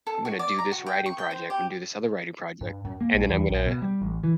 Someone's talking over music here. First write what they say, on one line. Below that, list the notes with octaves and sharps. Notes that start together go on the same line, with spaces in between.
I'm gonna do this writing project, I'm gonna do this other writing project, and then I'm gonna
A4
F#4
D5
A#5
F#4
G5
C#6
G5
C5
G4
G2
F#2
A#3
A#1
E2
A#1
B2
G3
A1
E3